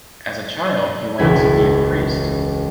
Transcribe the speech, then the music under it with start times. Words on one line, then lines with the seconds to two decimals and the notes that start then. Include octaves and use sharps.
As a child he wanted to be a priest.
1.18 E1 C#2 E4 G#6